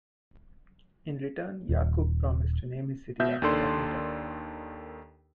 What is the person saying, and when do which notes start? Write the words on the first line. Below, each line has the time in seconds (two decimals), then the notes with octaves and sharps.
In return Yaqub promised to name his city after the hunter.
1.69 D#1
3.20 B2 E5 G6
3.42 D#2 D#3 D4 A4 D5 C6